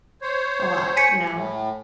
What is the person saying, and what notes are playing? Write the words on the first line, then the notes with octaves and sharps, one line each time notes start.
a lot, you know?
C5 C#5
G#5 B6 C#7
A2